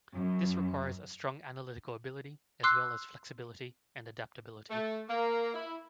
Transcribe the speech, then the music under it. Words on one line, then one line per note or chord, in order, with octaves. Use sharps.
This requires a strong analytical ability, as well as flexibility and adaptability.
F#2
C6 D6 E6 F#6 C7
A3
A#3
E4